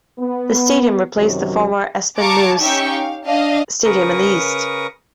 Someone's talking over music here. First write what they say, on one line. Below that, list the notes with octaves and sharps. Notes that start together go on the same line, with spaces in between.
The stadium replaced the former Espenmoos stadium in the east.
B3
F#2 C3 D#3 F#3
F5 A5 A#5 C#6 D6
C#4 D#4 G4 E5 G5 C#6
F5
D4 D#5 F5 A5
C#3 A#4 B4 A#5 C#6 D#6